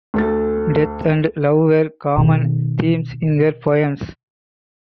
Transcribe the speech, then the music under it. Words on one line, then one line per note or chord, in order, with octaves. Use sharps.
Death and love were common themes in her poems.
D2 A4 A6
B2 D#3